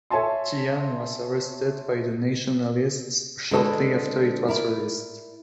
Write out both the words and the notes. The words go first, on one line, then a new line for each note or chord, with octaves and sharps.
Tian was arrested by the Nationalists shortly after it was released.
A4 C#5 E5 G#5 A5 C6
D3 G#3 A4 B4
E4 A#4 D5